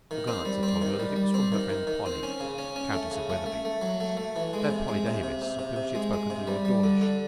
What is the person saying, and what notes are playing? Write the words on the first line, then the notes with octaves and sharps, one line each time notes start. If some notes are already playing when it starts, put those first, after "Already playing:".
A glance had told her that it was from her friend Polly, Countess of Wetherby: that Polly Davis of whom she had spoken to Lord Dawlish.
D#3
C4
G3
C4
D#3
G3
G3
C4
D#3
D#3
D#3
C4
C#4
C#3
C#4
C#4
A3
C#3
A3
A3
A3
F#3
A3
A3
E3
G#3
C3
G#3
C3
C3
C3
C3
C3
G#3
G#3
C3
G3
G3
D3
D3